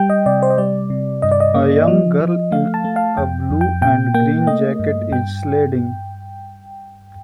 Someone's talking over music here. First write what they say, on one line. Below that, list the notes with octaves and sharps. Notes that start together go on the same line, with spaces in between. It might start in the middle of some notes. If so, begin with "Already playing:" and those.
A young girl in a blue and green jacket is sledding.
Already playing: G3 G5
D#5
C3 D5
C5
D#5
G3 D5
C3
G2 D#5
D5
D#5
A#3
F3
F3
A3 F5
A5
A3
F5
F2 G5
F2
G5
A#2 G5
A#3 G5
A3 D#5
G2
G2 G5